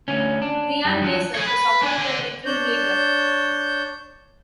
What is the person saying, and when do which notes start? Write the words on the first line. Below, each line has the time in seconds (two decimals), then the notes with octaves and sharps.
Brian Mason is appointed interim leader.
0.08 D2 C#4
0.42 D4
0.85 F#2 G3
1.02 F3 F#3
1.35 G#4 C#5
1.47 B4
1.84 D4 G#5
1.98 D3
2.46 D4 C#5 G6